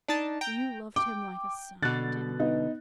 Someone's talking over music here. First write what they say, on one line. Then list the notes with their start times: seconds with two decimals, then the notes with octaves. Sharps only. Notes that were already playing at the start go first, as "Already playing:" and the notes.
You loved him like a son; didn't you?
0.08 D4 D#4 A5
0.41 G5 A#5
0.96 G5 D6
1.82 B2 D3 F#6 A6
2.40 B3 D#4